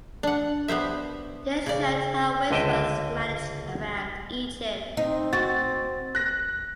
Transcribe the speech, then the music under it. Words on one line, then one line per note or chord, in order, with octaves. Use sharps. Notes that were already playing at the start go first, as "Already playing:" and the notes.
This showed how waste was managed around Egypt.
D4 F#5
B3 G4 C5 E5
C#3 D5
C#2 D3 D#5 E5 G5
C4 D#4
F#4 A6
F#6 A#6